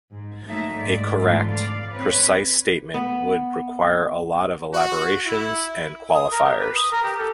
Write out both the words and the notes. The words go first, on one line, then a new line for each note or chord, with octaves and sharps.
A correct, precise statement would require a lot of elaborations and qualifiers.
G#2
F#3 A3 A#3 D#4 E5
G#2 D5
E2 G#2 D3 A3 F4 B4
F2 D5 F5
C4 B4 C#5
B3
F#4
E4
D#6
A#4
G4
B4
D#6
A#4
G4
A4